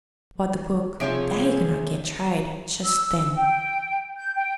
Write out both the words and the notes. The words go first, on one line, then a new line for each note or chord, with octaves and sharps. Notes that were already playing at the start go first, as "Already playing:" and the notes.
But the book--that he could not get tried just then.
C3 F3 G#4 C#5 D7
E6
G5
G6
G5